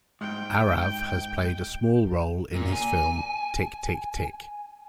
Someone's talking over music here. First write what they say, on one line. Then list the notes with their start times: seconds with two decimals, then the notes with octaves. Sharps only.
Aarav has played a small role in his film, "Tik Tik Tik".
0.21 G#2 G5
2.55 A#2
2.73 G#5